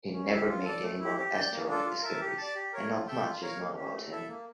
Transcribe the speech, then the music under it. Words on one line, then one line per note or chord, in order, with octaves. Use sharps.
He never made any more asteroid discoveries and not much is known about him.
C#4
E4 G4
F4
A4 D5
A3
E4 G4
G4
D5 G5
A#3
D4 F4 A4
F4
A#4 E5 A5
G4
D5 A5
G4
A#4 C#5
F4
A4 E5 G5
F4
A#4 C#5 F5
A#3
C#4 G4
A3
E4 A4 E5
A#3